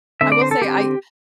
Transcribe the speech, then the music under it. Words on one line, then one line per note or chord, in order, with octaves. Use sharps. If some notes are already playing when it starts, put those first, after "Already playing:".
I will say I
D3 C4 E5
D5
C5
A4
D3 C4 G4